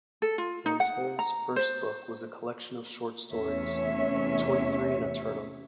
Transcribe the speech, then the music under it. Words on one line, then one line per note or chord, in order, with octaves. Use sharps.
Montero's first book was a collection of short stories, "Twenty-Three and a Turtle".
A4
F4
D#4
F#5
A#5
C5
E2 C3 A3 C#4 C#5 E5